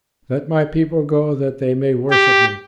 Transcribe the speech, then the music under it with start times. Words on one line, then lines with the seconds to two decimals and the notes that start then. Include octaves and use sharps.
Let my people go that they may worship me.
2.11 G4